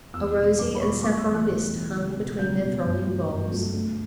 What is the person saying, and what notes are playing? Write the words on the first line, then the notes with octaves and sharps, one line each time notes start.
A rosy and saffron mist hung between their thronging boles.
E2 E6
B2 G3
E2 D6
B5
B2 G3 C#6
C#6
A2 D6
E6
E3 A3
F#6
A2
E3 A3
C#2
B2 G3
C#2 G6
B2 G3
G2
F#3 A3
G2
F#3 A3
D2